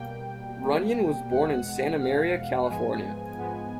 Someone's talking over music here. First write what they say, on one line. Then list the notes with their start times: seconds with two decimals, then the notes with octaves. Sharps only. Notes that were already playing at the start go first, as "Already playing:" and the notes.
Runyan was born in Santa Maria, California.
Already playing: B2 G3 A#3 G5
0.61 B2 G3 A#3
1.30 E2 B2 G#3 F#5
1.53 F#5
1.99 E2 B2 G#3 F5
2.68 G#2 F3 G#3 B3 G#5
3.38 G#2 F3 G#3 B3